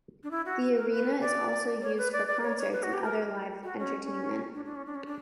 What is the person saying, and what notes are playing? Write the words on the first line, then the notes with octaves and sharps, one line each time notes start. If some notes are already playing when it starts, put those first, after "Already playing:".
The arena is also used for concerts and other live entertainment.
D4
E4
F#4
A#4
B4
D5
C#5
B4
D5
D5
C#5
C#5
B4
F#4
G4
A#4
F#4
C#4
C#4
D4
D4
C#4
D4
C#4
D4